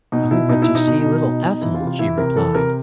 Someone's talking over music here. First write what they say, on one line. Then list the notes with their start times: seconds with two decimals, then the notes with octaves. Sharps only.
"I went to see little Ethel," she replied.
0.12 B2 D#4
0.31 B2 E4
0.49 B2 D#4
0.62 E4
0.68 B2
0.75 D#4
0.87 B2
1.06 B2
1.25 B2
1.44 B2
1.61 E3 E4
1.74 F4
1.80 C3
1.87 F4
1.99 E3 E4
2.18 C3 A#4
2.36 E3 A4
2.55 C3 A#4